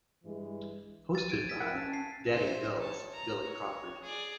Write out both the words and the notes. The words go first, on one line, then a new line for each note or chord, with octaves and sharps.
Hosted by "Daddy Bills" Billy Crawford.
G2 E3 G#3
A6 D#7
G#6 D7
B6
E4 A#4 F#5
C#4 A5
C7
C5 E5
C#5 A5
A#5
C#5
G#4 D5